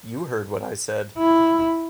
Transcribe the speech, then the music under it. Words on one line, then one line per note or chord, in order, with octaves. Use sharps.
You heard what I said.
E4